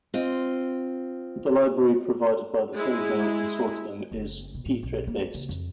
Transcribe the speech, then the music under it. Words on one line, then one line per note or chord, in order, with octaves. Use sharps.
The library provided by The Sendmail Consortium is pthread-based.
C4 F4 D#5
G#3 E4
F#1
B2
A2
B1
A#3
C#3
F2